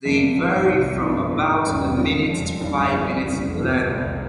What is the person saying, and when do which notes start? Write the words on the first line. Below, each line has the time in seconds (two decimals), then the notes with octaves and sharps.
They vary from about a minute to five minutes in length.
0.05 F2 C3 G3 A#3
0.37 A#1 G#2 F3
0.69 C2 C3 F3
1.01 G2 F3 C4 E4
1.33 G#2 E3 A#3
1.65 E1 E2 C#3 G3 C#4
1.97 A#2 G#3 C#4 F4
2.29 F2 C#3 G3
2.60 G1 G2 G3 C#4
2.92 A#1 A#2 G3 C4 E4
3.24 F1 E2 C#3 G3
3.56 G1 F2 C3 F3
3.88 C2 A#2 G#3 C4